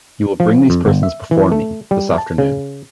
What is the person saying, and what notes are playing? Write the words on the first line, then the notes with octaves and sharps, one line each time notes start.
You will bring these persons before me, this afternoon.
F3
F2
G1
E5
E3
A3
G3
A5
C#3